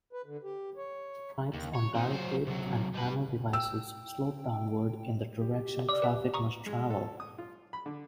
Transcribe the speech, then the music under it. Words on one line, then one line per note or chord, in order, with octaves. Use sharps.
Stripes on barricades and panel devices slope downward in the direction traffic must travel.
B4
D3
G4
C#5
D#2
C#5
C4 D#4
F#3 C5
C3 F#3
G3 B4
G5 E6
G4
B4 E5
A#5 C#6 D#6
G#3
A4
D#6
F4
B5
D3